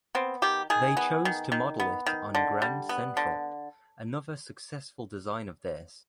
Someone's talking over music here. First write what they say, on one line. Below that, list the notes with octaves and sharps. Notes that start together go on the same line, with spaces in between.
They chose to model it on Grand Central, another successful design of theirs.
B3 C4
D#3 G4
D#3 G#4
B3
D#3
D#3
B3
D#3
D3
G3
B3
D3